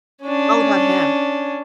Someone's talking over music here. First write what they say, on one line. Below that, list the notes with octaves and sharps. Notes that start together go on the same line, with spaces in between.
It's all about him.
C#4 D4